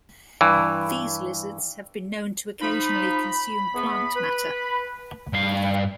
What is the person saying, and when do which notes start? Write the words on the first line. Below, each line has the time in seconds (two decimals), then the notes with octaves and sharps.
These lizards have been known to occasionally consume plant matter.
0.41 G2 E3
2.61 F3 D#4 B5
3.74 E2 B3
4.16 B4
5.33 G2 F5